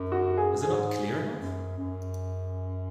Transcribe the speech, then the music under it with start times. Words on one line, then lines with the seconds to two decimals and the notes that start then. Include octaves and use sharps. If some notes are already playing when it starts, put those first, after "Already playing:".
Is it not clear enough?
Already playing: F#2
0.12 F#4
0.37 G#4
0.63 G#2 G#4
1.39 F#2
1.78 F#2